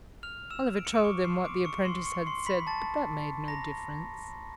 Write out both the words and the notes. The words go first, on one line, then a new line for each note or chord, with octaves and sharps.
Oliver told them what the apprentice had said, but that made no difference.
F6 F7
E6 E7
D7
C#7
D6 D7
C#6 C#7
C6 C7
D6 D7
C#6 C#7
C6 C7
C#6 C#7
C6 C7
B5 B6
A5 A6
A#5 A#6